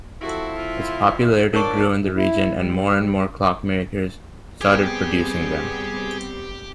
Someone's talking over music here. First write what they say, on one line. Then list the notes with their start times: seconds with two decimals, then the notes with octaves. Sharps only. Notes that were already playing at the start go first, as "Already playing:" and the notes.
Its popularity grew in the region and more and more clockmakers started producing them.
0.21 F3 C4 E4 F#4 A4
0.56 F4
1.53 A2 F3 D4 A#4 C#5 D5 A5 C#6
1.96 F#2
2.16 E4
2.55 G3
4.61 G3 B3 C4 G4 G#4 G5